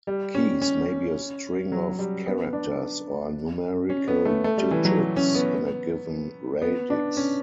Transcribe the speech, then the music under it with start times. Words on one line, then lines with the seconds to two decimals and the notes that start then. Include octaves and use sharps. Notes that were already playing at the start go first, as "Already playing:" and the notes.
Keys may be a string of characters, or numerical digits in a given 'radix'.
0.07 G3
0.35 C#4
0.62 C#4
1.72 F#3
1.99 G3
2.26 B3
2.53 D4
3.90 C#4
4.08 B3
4.25 A3
4.44 A3
4.57 G3
4.71 E3
4.85 F#3
4.99 F#3
5.16 C#4
5.35 B3
6.62 B3
6.90 D4
7.17 C#4